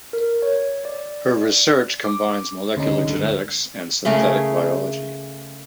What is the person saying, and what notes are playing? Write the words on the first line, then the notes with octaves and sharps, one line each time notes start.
Her research combines molecular genetics and synthetic biology.
A#4
C#5
D5
D6
D2 C#3 C#4 D#4
D2 G2 D3
C#3 A3 G#4 A#4